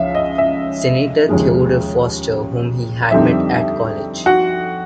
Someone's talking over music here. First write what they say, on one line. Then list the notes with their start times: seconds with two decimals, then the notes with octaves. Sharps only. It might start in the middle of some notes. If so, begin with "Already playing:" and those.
Senator Theodore Foster, whom he had met at college.
Already playing: C#2 C#3 F3 E5 F5
0.15 D#5
0.38 E5
1.29 D#2 C#3 F3 G#3
3.11 F2 D3 G3 C4 D#4 E5
4.26 F#4 F#5